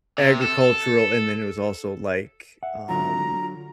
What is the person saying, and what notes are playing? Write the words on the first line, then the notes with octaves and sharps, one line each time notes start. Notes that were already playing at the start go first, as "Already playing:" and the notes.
agricultural, and then it was also, like, um,
C3
A4
E5 F#5
D3 F#3 F4 A#5